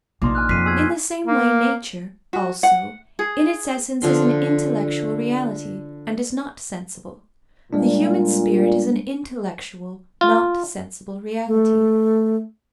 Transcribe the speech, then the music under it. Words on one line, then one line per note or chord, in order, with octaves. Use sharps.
In the same way, nature, also, in its essence is an intellectual reality and is not sensible; the human spirit is an intellectual, not sensible reality.
A#1 D3 A#3 D4 D#4 C6 D6
G#5 F6 F#6
F2 B6 C7 D#7
B2 G#4 E6 G#6
A#3
F#4
F#5
G#4
D3 F3 C6
A#2 G3 G#3 D4
F4
A3